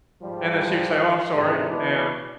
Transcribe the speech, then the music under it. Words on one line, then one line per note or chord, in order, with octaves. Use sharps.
and then she would say, "Oh, I'm sorry," and
G#2 F3 G3
G#2 C3
B2 E3 D4 B4